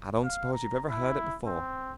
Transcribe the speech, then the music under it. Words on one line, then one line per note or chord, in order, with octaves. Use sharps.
"I don't suppose you ever heard it before."
F5
A#5
E4
C4